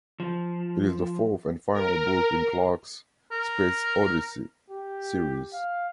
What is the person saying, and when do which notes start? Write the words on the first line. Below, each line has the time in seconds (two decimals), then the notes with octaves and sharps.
It is the fourth and final book in Clarke's "Space Odyssey" series.
0.20 F3
1.73 A#4
3.32 A#4
4.70 G4
5.53 F5